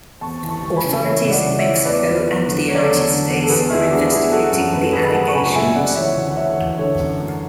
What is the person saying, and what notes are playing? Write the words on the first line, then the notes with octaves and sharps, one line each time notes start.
Authorities in Mexico and the United States are investigating the allegations.
E2 A5 C#6
E3
A5 C#6
E3
G#5 B5
C#3
E3 C#5 E5
C#2
D5 F#5
C#3
C#5 E5
E3
E2 B4 D5
E2
E2
D3
F#3 C#5
D5
A4 C#5
E2
D3
E2
A4
E2 G#4 B4
E2 E4 G#4
G#4
E2 D4 F#4
E2 E4 G#4
F#3 F#4 A4
F#2
F#2 B4
A4
F#2 G#4 B4
B5
F#3 F#5 A5
C#6
C#2 G#5 B5
C#2 E5 G#5
C#2 D5 F#5
F#5
E3 C#5 E5
D2
F#5
D2 C#5 E5
E3
D3 A4 C#5
F#2
F#3